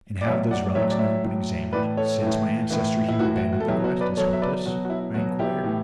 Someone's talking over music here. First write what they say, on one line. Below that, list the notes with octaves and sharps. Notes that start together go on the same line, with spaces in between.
"And have those relics never been examined since my ancestor Hugh abandoned the quest as hopeless?" I inquired.
D5
A2 F#3 C#5 E5
D5 F#5
D5
A2 F#3 C#5 E5
D5
C#5 E5
A2 F#3
A2 E3 B4 D5
A4 C#5
A2 E3
A2 E3
E4
A2 E3 F#4
F#4
F#4
A4
B2 F#3 E4 G4
F#4
B4 D5
B2 F#3 A4 C#5
E5
B4 D5
B2 F#3 F#4
F#4
E4
B2 F#3 F#4
E4 G4
A2 E3